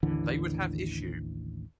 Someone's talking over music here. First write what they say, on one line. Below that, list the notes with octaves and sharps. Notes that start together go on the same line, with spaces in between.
They would have Issue.
A1 D#2 D3 E3